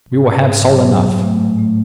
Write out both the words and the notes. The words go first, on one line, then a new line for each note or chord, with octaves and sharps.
"We will have salt enough."
G#2
G#2
G#2
F#3
F#3
F#3
A3
A2
A3